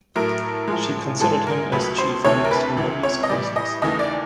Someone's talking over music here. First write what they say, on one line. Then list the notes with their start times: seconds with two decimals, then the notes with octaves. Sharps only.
She considered him as chief amongst her various counselors.
0.15 A2 F#3 A3 A#4
0.68 A2 F3 G#3
1.20 G#2 E3 G#3 A4
1.47 A#4
1.72 C#2 B2 F#3 A3 B4
1.98 C5
2.25 D2 C3 E3 A3 C#5
2.44 A#4
2.51 B4
2.77 C#2 C3 E3
3.03 C#5
3.23 D#5
3.30 A2 E3 G3 D5
3.56 D#5
3.82 D#2 C#3 E3 A3 D#5
3.99 D5